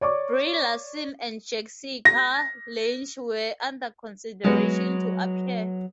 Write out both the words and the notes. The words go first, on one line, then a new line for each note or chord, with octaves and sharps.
Brie Larson and Jessica Lange were under consideration to appear.
C#5 D5 C#6 D6
A#6
F#3 G#3 B3